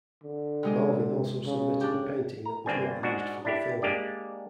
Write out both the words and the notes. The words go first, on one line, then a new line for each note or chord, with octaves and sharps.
Malvin also submitted a painting that was not used for the film.
D3
C3 G#3 G#4
C#3
D4 G4
A#5
G1 A#3 C4 D4 G#5
G#2 G#3 D4 F#4
D4 E4 G4
G#3 A#3 D4 G4 D5